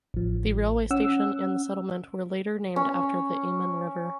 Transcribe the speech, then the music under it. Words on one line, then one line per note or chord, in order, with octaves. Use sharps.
The railway station and settlement were later named after the Iman River.
A1 F3
C#4 F#5 E6
C#4